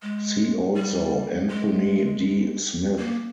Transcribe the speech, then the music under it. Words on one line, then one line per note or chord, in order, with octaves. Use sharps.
See also Anthony D Smith.
G#3
G3
G#3
A#3